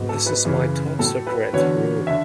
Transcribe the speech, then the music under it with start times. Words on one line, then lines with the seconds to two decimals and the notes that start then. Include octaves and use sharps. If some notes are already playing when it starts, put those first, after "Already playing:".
This is my top secret room.
Already playing: G#2 F#3 B3
0.09 A4
0.26 B4
0.44 F#2 C#3 E3
0.99 A2 F#3 A3 A4
1.27 B4
1.53 E2 D3 F#3 B3 C#5
2.07 D3 E5